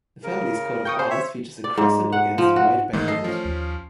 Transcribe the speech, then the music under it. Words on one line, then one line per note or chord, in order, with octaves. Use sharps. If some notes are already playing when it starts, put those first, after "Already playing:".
The family’s coat of arms features a crescent against white background.
C#3 A#4
G5 C#6 D#6
C5
C#5 E5
D5
G#2
F#5
F3
F#4
G#2 D#3 E3 A3 D#4
A4 D#5 C7
F3 C#4
D#2